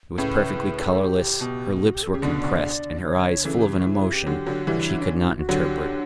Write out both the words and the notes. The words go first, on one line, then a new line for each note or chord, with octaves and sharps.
It was perfectly colourless, her lips were compressed and her eyes full of an emotion which he could not interpret.
A2 C#3 B4
A4
G4
B2
G4
F#4
G4
A4
G4
C#3
B2 D3 D5
D5
C#5
C#3 E3 A4
G4
F#4
E4
E4
G4
D3 F#3
D3 F#3
E3 G3 E4
C#4
D4
E4
F#4
D3 F#3 G4